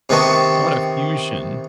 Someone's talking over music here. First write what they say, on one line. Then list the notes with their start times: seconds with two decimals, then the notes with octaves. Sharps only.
lotta fusion.
0.09 C3 D#3 B3 A5 C#6